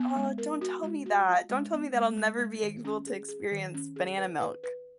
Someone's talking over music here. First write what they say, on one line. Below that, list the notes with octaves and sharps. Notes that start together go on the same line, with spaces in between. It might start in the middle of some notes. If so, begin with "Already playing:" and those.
Oh, don't tell me that. Don't tell me that I'll never be able to experience banana milk.
Already playing: B3
G#3
A#4
F#4
G#3
F#4
F4
G#3
B3
G#3
G#3
G#3
D#3
C#4
G#4
G#4
D#3
C#4
G#4
B4
B4
B4